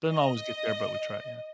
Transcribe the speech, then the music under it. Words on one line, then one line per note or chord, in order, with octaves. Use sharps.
Doesn't always get there, but we try, yeah.
D#5